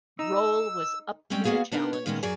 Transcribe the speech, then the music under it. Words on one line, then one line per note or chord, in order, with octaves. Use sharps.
Roll was up to the challenge.
D#4 E6
G3 G#3 C4 C#4 D5 G5
A#3 B3 F#4 G#4 D5 F5
B3 D4 D#4 A#4
C#5
A#2 D#3 G#3 B3 C#4
F#2 F#3 G#4 D5 G#5